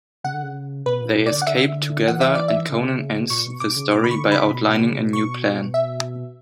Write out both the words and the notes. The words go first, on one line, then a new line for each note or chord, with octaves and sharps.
They escape together and Conan ends the story by outlining a new plan.
C#3 F#5
D3
C#3
B2 B4
A#2
B2
D5
D3
F#5
D3 E5
E3 F#5
E5
D5
E5
C#3
A#2 C#6
B2
B2 D6
C#3
B2 D6
C#3 B5
D3 C#6
C#3 B5
B2
B2
C#3
B2
B2 C#6
E5